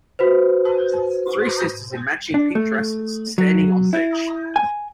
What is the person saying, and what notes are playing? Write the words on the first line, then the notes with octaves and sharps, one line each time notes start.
Three sisters in matching pink dresses standing on the beach.
F#4 B4 C5
D4
A3
F#3
E4
G#5